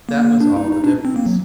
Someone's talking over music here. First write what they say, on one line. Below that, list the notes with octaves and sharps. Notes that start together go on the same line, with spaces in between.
That was all the difference.
A#3
D4
D#4
D#4
D4
C4
A#3
F#3